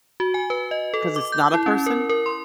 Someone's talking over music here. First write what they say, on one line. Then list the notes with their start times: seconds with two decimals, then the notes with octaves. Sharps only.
'Cause it's not a person?
0.20 F#4
0.34 G#5
0.50 B4
0.71 D#5
0.94 A4
1.16 D6
1.32 G6
1.54 E4
1.66 C#4
1.86 A#4
2.09 A#4
2.26 C6